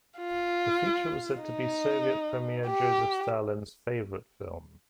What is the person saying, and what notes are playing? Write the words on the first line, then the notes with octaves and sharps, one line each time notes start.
The feature was said to be Soviet Premier Joseph Stalin's favourite film.
F4
D#4
G4